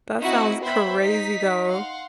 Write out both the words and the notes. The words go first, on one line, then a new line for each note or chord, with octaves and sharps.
That sounds crazy, though.
C4 D#4 E4 F#4 D#5
B3 C5 E5 G5 B5
D#4 B6
F5 F#5 C6